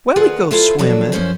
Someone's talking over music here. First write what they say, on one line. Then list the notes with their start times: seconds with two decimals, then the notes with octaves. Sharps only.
"Where we go swimmin'?"
0.16 D2 F4 G#4 A#4 B4 F#5
0.51 E4 F4 A4 C5 E5 F5
0.78 F3 F#3 D4 A4
1.12 F#2 B2 F3 C#4 E4 C5